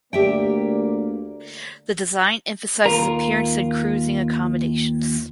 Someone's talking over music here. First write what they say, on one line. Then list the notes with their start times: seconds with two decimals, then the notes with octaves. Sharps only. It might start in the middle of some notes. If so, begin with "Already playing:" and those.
The design emphasizes appearance and cruising accommodations.
0.13 D2 A#3 G4 D5 E5 G5
2.86 D#2 F4 A#4